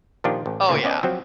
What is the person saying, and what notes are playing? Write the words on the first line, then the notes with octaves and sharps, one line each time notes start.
Oh, yeah.
A#2 D#3 F3 D4 F4 G4
A1
D2 A#2 C#3
B3 C#4 D5 D#5
F3 F#3 C4